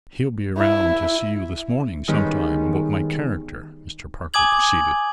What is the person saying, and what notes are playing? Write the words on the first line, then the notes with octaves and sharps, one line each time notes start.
"He'll be round to see you this morning, sometime, about my character," Mr. Parker proceeded.
E4
D#3 G3 G#3 B3 C#4 D#4
G#5 D6 D#6 G#6 F#7